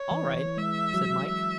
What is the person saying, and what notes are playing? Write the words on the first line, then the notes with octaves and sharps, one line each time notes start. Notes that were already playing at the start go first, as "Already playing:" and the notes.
"All right," said Mike.
Already playing: C#5
E3
E3
G#3 E5
F#3
E5